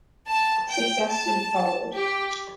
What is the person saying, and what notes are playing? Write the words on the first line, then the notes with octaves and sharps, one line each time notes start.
Success soon followed.
A5
G5
A5
G4